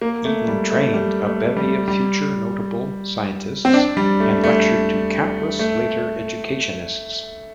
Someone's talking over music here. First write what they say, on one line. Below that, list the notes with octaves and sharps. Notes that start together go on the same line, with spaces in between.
Eaton trained a bevy of future, notable, scientists and lectured to countless later educationists.
A#3
A3
G3
A3
G3
A3
G3
G3
C4
D4
G3
A3
A3
A3